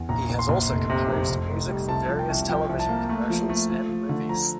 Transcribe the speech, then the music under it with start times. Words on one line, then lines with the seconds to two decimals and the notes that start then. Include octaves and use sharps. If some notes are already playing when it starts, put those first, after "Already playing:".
He has also composed music for various television commercials and movies.
Already playing: E2
0.09 A#1 A#5
0.30 A#1
0.39 C6
0.49 A#1
0.69 F1
0.90 C3
1.09 F2
1.29 F1
1.49 F1
1.69 G3
1.89 C2 A5
2.09 F3
2.19 G5
2.30 C2
2.49 F3 G5
2.69 C2
2.79 A5
2.89 A#3
3.09 A3
3.30 F3
3.49 A3
3.70 F3
3.89 F3
4.09 D3
4.29 F3 A#5